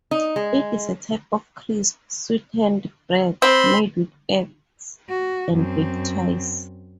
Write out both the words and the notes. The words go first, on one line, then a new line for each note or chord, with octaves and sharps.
It is a type of crisp, sweetened bread, made with eggs and baked twice.
D#4
G#3
C4 B5 C6
F#4
F#2 C4